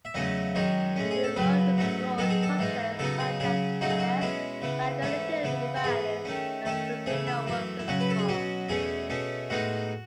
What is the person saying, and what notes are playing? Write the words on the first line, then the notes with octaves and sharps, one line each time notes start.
De Leon explored subjects such as incest, fraternity violence, and the Filipino workers' cause.
E5
E2 C#3 F#3 A3 C#4 D#5
F#2 D#3 G#3 D#4 C#5
A2 G#3 C#4
G#4
A4
F#2 C#3 F#3 B4
G#2 F#3 A3 C#4
D#3 F#3 B3 D#4 A4
G#4
A4
G#2 E3 G#3 D#4
C#3 F#3 B3 D#4 A4
G#4
C#3 F#3 C#4 G#4
C#3 F#3 A3 D#4 F#4
G#4
F#4
B2 G#3 C#4 E4
C#3 E3 B3
G#2 E3 A3 C#4 E4
C#3 E3 B3
F#4
G#2 E3 B3 G#4
D#3 A3 C#4
D#3 A3 C#4 A4
C#3 E3 A3 G#4
E4
F#2 E3 A3 E4
E4
C#3 F#3 C#4 F#4
B4
A4
G#4
B2 F#3 C#4 F#4
E2 B2 A3 C#4 G#4
B2 A3 C#4
A2 G#3 B3 D#4 F#4